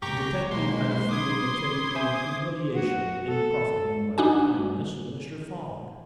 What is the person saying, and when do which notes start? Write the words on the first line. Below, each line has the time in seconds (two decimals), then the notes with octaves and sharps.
The detective had a feeling akin to humiliation in profiting by the kindness of Mr. Fogg.
0.02 C#2 G2 G4 A#5 C#6 D6
0.51 B1 G#3 A#3 C6
1.09 D6 D#6 G#6
1.95 C5 E5 G#5
2.74 F#4
3.29 A4
4.18 D4 D#4 F#4 G#5